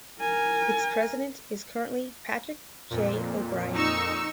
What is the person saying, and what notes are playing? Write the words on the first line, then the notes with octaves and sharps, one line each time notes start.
Its president is currently Patrick J. O'Brien.
A#4 G#5
F2 A#2
D#4 C#6 E6